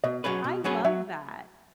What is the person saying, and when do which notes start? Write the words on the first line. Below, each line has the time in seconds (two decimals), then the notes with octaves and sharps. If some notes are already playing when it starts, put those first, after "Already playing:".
I love that,
0.04 B2 D#5
0.24 F#3 C#4 G#4 B4
0.44 B2
0.64 F#3 C#4 G#4 B4
0.85 F#3 E5